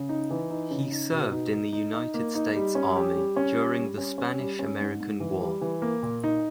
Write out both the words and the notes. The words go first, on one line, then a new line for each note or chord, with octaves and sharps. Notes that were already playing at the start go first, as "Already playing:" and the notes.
He served in the United States Army during the Spanish-American War.
Already playing: C#3
D#4
E3
D#4
C#3
D#4
B2
D#4
D#4
D#4
D#4
A#3
D#4
G3
C#4
G4
G3
C#4
G3
G3
C#4
C#4
G3
C#4
G#2
G#2
E3
G3
E3
A#3
A#2
D#4